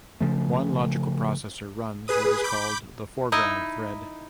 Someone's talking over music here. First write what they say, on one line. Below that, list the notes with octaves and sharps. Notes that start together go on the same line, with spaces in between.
One logical processor runs what is called the foreground thread.
C#3 F3 A3
G#4 B4 D#6
B5 D6 G6
D#4 E4 D#5